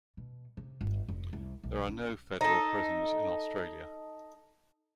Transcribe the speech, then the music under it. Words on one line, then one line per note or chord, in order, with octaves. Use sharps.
There are no federal prisons in Australia.
B2
C3
G1
F1
C2
B1
C#4
D#4 A4